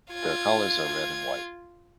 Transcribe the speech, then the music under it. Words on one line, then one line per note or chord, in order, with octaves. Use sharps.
Their colors are red and white.
F4 G#6